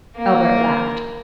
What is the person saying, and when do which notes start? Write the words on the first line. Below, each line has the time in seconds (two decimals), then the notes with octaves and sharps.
Albert laughed.
0.16 A#3 A#4